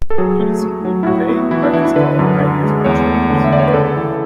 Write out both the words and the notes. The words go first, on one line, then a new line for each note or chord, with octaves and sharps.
Duties include reveille, breakfast call, pioneer's march and others.
A4
F#3 G#4
A3
A3
F#3
E4
A2 F#4
B3 E4
E3 E4
D4
E3 E4
E4
D3 B4
F#2
D3
G#3
E2 C#5
A3
D3
E5
D3 D5
C#5
B4
C#3 A4
E3